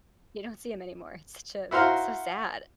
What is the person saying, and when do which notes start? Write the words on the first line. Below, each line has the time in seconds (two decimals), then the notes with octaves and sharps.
You don't see 'em anymore. It's ju so sad.
1.71 E4 F#4 C5 F5 A#5